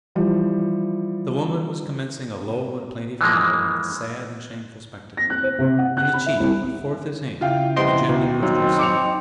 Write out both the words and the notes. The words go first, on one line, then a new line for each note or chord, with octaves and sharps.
The woman was commencing a low and plaintive howl at the sad and shameful spectacle, when the chief put forth his hand and gently pushed her aside.
E3 F3 G3
E3 F3 G#3 A#3
A#6
F#6
C5
C3
F#5
F#6
B5
E5
C2
C#3 E4 F4 F5 G5
F2 B3 C5 D#5 G5 C6
D#2 B2
D#2 F#3 C4 D#4
D6 C#7 F7